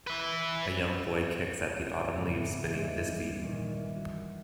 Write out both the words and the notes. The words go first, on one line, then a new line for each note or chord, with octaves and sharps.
A young boy kicks at the autumn leaves beneath his feet.
B4 E5
G#2 C#3 E3 C4 D4
G2 E3 G#3 D4 D#4
A#2 D#3
E3
F#4